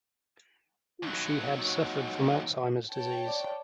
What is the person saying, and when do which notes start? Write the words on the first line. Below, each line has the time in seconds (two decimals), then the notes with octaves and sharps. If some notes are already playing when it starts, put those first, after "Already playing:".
She had suffered from Alzheimer's disease.
1.03 D#2 F#3
2.91 C#5 G5 A5
3.27 D5